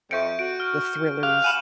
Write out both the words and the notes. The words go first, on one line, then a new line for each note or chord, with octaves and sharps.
the thrillers,
F2 E5 C#6 G6 C#7 D7
F#4 D7
F6 D7
F#2 G4 F5 F#6
F#5 G#5 B5 D#7 E7 F#7